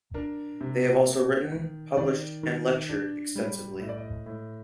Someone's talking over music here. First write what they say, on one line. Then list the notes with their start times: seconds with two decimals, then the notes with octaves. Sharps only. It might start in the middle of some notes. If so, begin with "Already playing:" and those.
They have also written, published and lectured extensively.
0.14 D4 A#4
0.61 C3
1.06 A#3
1.52 D#3
1.97 D#3 D5
2.43 D#3
2.89 D4
3.35 G3
3.80 A2 D#5
3.89 D5
3.98 D#5
4.26 A2